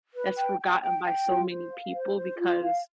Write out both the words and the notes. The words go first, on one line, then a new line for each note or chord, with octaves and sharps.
that's forgotten by so many people because
B4
G5
G5
G5
G5
F4
C5
F5
C5
C5
F4
F5